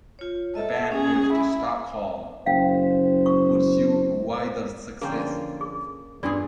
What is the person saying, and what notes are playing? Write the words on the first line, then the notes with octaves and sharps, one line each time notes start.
The band moved to Stockholm to pursue wider success.
F4 C#5
A4 D#5 E5 A5
C#4 G#4
E4
F#1 C5 F5 G5
C#6
D3 F3 A#3 C#4 F4 G#4 G5
G#4
E2 G2 D4 E4 F4 G#4 D5